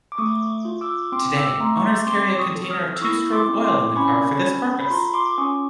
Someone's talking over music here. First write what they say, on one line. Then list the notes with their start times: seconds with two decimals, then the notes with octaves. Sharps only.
Today, owners carry a container of two-stroke oil in the car for this purpose.
0.12 D6
0.18 A3 C#6 D#6
0.65 F4
0.81 D6 E6
1.12 C4 C6 D6
1.37 D6 E6
1.60 A3 A#5 C6
1.76 C#6
1.84 C6 D6
2.07 C4 C6 D6
2.39 C#6 D#6
2.55 A4
2.71 D#6 F6
2.96 E6
3.01 E4 C#6 D#6
3.33 C6 D6
3.48 C4
3.64 C6 D6
3.90 D6
3.96 C#4 B5 C#6
4.44 A4
4.81 B5
4.90 F4 A#5 C6
5.14 C6 D6
5.27 D6
5.38 C#4 C#6 D#6